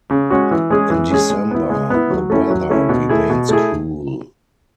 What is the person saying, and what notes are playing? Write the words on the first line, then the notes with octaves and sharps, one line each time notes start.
In December, the weather remains cool.
C#3
G#3 C#4 F#4
E3
G#3 C#4 G#4
E3
G#3 C#4 G#4
G#3
B3 E4
G#3
B3 E4
F#3
A3 C#4 E4
F#3
A3 C#4 E4
B2
A3 E4 G#4
B2
A3 E4 G#4